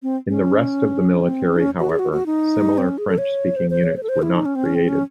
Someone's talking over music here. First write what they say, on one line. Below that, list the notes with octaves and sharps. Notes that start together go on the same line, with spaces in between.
In the rest of the military, however, similar French-speaking units were not created.
C4
C#4
C4
D#4
C#4
F#4
G#4
F#4
F#4
D#4
C4
C#4
G#4
A4
C#5
C5
C5
C#5
C5
A4
C5
E4
D#4
C#4
C4
C#4
C4
C#4